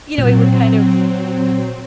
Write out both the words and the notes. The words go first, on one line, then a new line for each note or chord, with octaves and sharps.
you know, he would kind of
A#2 F#3 C4